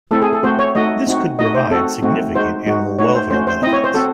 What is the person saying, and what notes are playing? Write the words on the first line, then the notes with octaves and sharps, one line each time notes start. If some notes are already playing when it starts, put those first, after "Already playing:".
This could provide significant animal welfare benefits.
A3 C4 E4 A4
G#4
A4
A3 C4 F#4 C5
C#5
A3 D#4 F#4 D#5
C4 D#4 F#4
A3 D#4 F#4 D#5
C5
C4 F#4 A4
A3 C4 D#4 F#4
G#3 D#4 F#4 C5
G#3 D#4 F#4
A3 D#4 F#4 C#5
C5
A3 C#4 F#4 C5
C5
C4 E4 D#5
C#5
C5
C4 F#4 A4